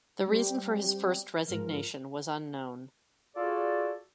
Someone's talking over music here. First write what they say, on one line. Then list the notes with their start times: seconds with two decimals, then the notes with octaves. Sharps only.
The reason for his first resignation was unknown.
0.26 G3 C4 G4
1.46 G#2 F3 A#4
3.36 F4 F#4 G#4 A4 D5